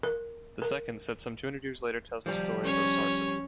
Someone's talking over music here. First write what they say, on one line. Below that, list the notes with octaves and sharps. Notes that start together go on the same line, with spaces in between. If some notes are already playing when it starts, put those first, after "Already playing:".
The second, set some two hundred years later, tells the story of Osarseph.
A#4
A#4
F3 G3
C#4 C#5